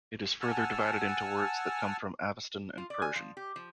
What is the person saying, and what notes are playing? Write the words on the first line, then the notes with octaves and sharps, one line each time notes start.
It is further divided into words that come from Avestan and Persian.
F#5 G#5 A5 E6 F6
F4
D5
G#5
F3
G4
F3